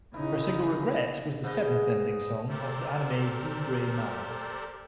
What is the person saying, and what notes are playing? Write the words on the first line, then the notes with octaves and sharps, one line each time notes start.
Her single "Regret" was the seventh ending song of the anime "D. Gray-man".
C#3 D#4 E4 D#5
G#2 B4 D#5
G4 A4 A#4 C5 D5